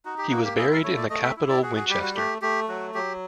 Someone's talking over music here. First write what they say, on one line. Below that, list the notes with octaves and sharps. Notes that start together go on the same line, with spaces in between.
He was buried in the capital Winchester.
D#4 F#4
G4
A#3 F#4
G4
E4 G#4
A#4
A3 C#5
D5
A3 D#5
E5
E4
D5
F#4 G#4
G#4
G3 G4
F#4
A3 G4
A3 G4
F#3 F#4
F#3 G4